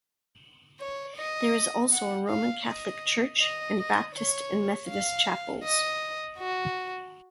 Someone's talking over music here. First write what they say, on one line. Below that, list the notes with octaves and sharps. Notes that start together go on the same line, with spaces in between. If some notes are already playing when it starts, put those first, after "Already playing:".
There is also a Roman Catholic church, and Baptist and Methodist chapels.
C#5
D#5
F#5
F5
D#5
D#5
D#5
C#5
F5
D#5
F#4